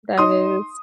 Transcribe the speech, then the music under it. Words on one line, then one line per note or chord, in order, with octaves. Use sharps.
That is.
D#4 C6 D#6